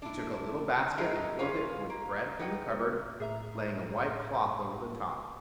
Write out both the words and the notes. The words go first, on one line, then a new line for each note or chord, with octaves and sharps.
She took a little basket and filled it with bread from the cupboard, laying a white cloth over the top.
D4 E4
G#3 D#4 G#4 A#4 B4 E5
C#4 F4 G#4 B4 F5
A#3
D#4 B4 F#5 G5
A2 G#4 E5 A#5